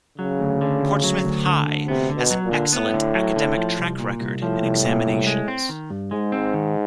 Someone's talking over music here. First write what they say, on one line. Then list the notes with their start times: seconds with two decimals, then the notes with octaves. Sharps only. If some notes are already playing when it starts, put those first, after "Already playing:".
Portsmouth High has an excellent academic track record in examinations.
0.18 C#3 F#3
0.40 D2
0.61 D3
0.82 D2
1.04 F#3
1.24 D2
1.45 D3
1.67 D2
1.88 C3 B3
2.09 D3
2.16 B2
2.30 F#3
2.44 A#2
2.51 D3
2.73 A2 B3
2.94 D3
3.15 F#3
3.36 D3
3.57 F3
3.79 C2
4.00 A#2
4.21 C2
4.41 A2 F3
4.63 C2
4.84 A#2
5.06 C2
5.27 G#3
5.48 C4
5.69 D#3
5.90 G2
6.11 G#2 G#3
6.32 C4
6.54 D#3